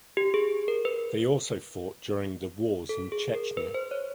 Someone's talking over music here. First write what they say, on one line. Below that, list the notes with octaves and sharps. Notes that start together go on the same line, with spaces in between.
They also fought during the wars in Chechnya.
G4
G#4
A#4
B4
A4
G#4
A#4
B4
C5
C#5